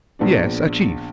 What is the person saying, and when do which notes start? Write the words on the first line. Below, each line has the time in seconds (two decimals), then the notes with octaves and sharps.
"Yes, a chief."
0.19 A#1 B3 D4